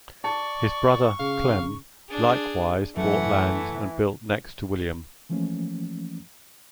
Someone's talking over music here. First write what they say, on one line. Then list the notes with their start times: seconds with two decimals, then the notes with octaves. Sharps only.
His brother, Clem, likewise bought land and built next to William.
0.24 D5 A5 C#6 C#7
1.19 C#3 F5
2.09 D4 G#4
2.97 F#2 E3 A3 F#5
5.30 E3 F3 A3 A#3 C#4